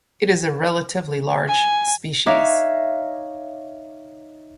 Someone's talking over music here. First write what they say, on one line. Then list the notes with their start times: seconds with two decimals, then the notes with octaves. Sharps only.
It is a relatively large species.
1.48 G#5
2.26 D#4 C#5 E5 F5 D6 F#6